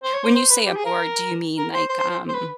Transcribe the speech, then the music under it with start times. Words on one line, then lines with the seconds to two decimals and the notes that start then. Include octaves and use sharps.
When you say a board, do you mean like, um,
0.04 C5
0.14 C#5
0.24 C5
0.34 C5
0.50 B4
0.66 G4
0.76 G#4
0.86 A#4
1.58 A#4
1.73 C5
1.89 C5
1.99 C5
2.10 C5
2.29 C5
2.35 B4